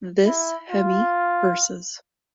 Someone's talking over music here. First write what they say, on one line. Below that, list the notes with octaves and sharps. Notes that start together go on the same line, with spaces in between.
This Hemi "vs".
E4
F4